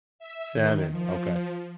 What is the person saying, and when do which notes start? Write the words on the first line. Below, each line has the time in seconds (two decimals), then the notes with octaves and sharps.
Salmon, okay.
0.19 E5
0.53 D#3
0.91 F3